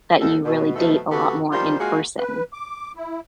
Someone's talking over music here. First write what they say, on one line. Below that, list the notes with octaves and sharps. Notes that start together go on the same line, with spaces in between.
that you really date a lot more in person?
D#2 A4
B2
D#2 B2 F3 A3
C#3 B3 F#4 G4 A4
D#3 F3 G3 F4 C5
G#3 A#3 F4 F#4 G#4
B4
D6
E4